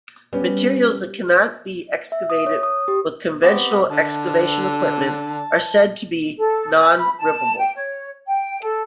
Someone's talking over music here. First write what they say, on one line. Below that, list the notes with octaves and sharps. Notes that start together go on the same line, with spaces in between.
Materials that cannot be excavated with conventional excavation equipment are said to be non-rippable.
G3 B3 C#4
E5
D#6
C#5
D#6
G4
B3 C4 G4
D3 A5
A4
G#5
B5
A5
G5
C#5
G5
A4